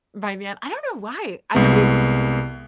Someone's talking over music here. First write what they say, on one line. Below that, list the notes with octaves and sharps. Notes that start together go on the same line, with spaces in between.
by then I don't know why, everybody
C2 G#3 B3